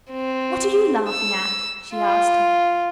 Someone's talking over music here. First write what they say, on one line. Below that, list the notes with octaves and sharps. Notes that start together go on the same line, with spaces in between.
"What are you laughing at?" she asked her.
C4
E6
F4